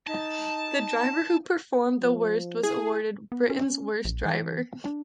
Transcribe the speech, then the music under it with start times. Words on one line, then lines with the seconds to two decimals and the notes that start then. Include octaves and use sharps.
The driver who performed the worst was awarded "Britain's Worst Driver".
0.07 D#4 A5
2.02 F3
2.63 E4 G#4
3.32 B3
3.50 C#4
4.05 A#1
4.25 E3
4.85 D4